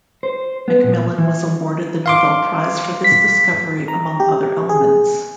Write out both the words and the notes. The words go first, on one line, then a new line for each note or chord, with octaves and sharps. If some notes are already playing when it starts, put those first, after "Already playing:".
McMillan was awarded the Nobel Prize for this discovery among other elements.
C5
B3
A#2
E3
F5 C6 D6
B6
A#5
G4
G#4